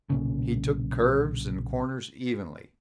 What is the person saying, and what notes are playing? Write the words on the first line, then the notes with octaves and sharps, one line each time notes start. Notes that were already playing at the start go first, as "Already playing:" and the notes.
He took curves and corners evenly.
B1 A#2 C#3